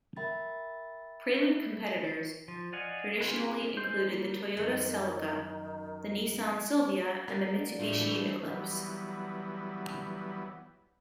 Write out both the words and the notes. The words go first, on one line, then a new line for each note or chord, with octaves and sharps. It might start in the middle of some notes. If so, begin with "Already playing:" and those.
Prelude competitors traditionally included the Toyota Celica, the Nissan Silvia and the Mitsubishi Eclipse.
A#4 E5 G5 B5 G#6 A6
F3
D5 D#5 F5 F#5 G#5
B3 C4 F4 G#4 B4
G#3 C5
G3 A#3
F#2 D#3
B3 F4 A#4
D4
A2 F3 A3
E3 G3 A3 G4 B4
E3 F#3 G3 B3